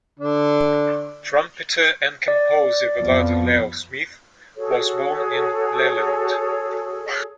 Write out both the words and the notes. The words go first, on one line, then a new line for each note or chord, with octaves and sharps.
Trumpeter and composer Wadada Leo Smith was born in Leland.
D3 D4
D5
F2 F3 B3
F#4 G#4 A4 C#5